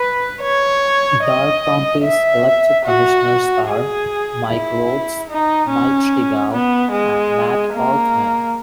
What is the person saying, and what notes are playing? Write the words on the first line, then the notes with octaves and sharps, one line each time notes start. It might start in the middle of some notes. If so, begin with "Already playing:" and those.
Darke County's elected commissioners are: Mike Rhoades, Mike Stegall, and Matt Aultman.
Already playing: B4
C#5
D#5
E5
F#4
G#4
E4
D#4
C#4
B3
G#3
A#3